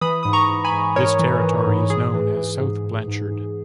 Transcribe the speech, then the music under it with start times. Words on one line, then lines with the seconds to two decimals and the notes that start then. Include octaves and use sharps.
This territory is known as South Blanchard.
0.01 E3 B5 D#6
0.23 G#2 D#6
0.33 A#5 C#6
0.49 G#2
0.64 G#5 B5
0.72 G#2
0.96 G#2 A#4 C#5
1.19 E3
1.43 E3
1.66 G#2
1.90 E3 G#4
2.14 E3
2.37 E3
2.61 G#2
2.84 G#2
3.08 G#2
3.31 G#2